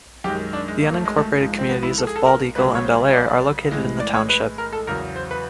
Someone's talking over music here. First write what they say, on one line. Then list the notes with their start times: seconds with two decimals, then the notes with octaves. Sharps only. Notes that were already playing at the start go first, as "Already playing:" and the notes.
The unincorporated communities of Bald Eagle and Bellaire are located in the township.
0.24 F#2 D#3 G#3 G4
0.53 D4
0.68 G#3
0.82 A#3
0.93 A3
1.05 G#3
1.17 A3
1.40 G#2 F3 G#3
1.59 C4
1.69 B3
1.83 E4
1.98 A4
2.07 G#4
2.16 A4
2.26 A#4
2.55 C#2 C#3 F#3 B4
2.75 C#5
2.84 C5
3.13 D5
3.71 A2 E3 G#3
4.00 D5
4.15 C#5
4.29 B4
4.58 A#4
4.73 A4
4.87 E2 C#3 F#3 A#4
5.16 C5
5.31 B4